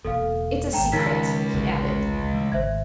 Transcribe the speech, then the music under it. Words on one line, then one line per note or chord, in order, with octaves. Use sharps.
"It's a secret," he added.
E1 E2 A#3 A4 F5
G#1 G#3 G5 A5 A#5
C#2 D#3 F3 D#4 A#4 B6
A1 D2 C#3
E3 A3
G#1 C5 E5 G#6